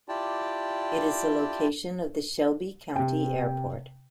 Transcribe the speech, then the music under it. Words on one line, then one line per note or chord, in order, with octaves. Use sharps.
It is the location of the Shelby County Airport.
E4 F4 G4 D5 G5 A5
C3 G5